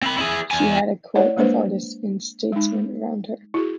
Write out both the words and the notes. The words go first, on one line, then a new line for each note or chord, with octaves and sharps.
She had a court of artists and statesmen around her.
C4 B5
E4 G#4
E2 G#5
A3 E4 C#5 D5 F#5
G#3 A#3 D4 B4 C5
G#3 D#4
E4 F#4 G#4